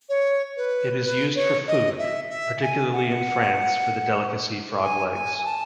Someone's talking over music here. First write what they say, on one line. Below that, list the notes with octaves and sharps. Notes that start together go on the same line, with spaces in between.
It is used for food, particularly in France for the delicacy frog legs.
C#5
B4
B4
C#5
D#5
E5
E5
G#5
F#5
G#5
G#5
G#5
A5